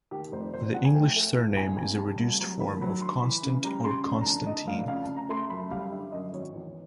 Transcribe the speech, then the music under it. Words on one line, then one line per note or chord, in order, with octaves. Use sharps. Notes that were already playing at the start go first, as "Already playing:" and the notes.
The English surname is a reduced form of "Constant" or "Constantine".
D#2 G4
F1 C5
F1 C5
F3 F#5
G#5
A3 G5
A3
A2
C2 G#5
C2 G#5
G3 A5
C2
F#3 A#5
D#2 B5
F#3 B5
D3 C6
E3 B5
C#3
G3 A#5
C#3 C6
F1
A#5
D3 A5
D3 D#5
F1 F5
C#3 F5
A5
C#3
A#5
A3 C6
F#2 B5
G3 F5
D3 E5
F#2 D#5
G#1 C#5
E2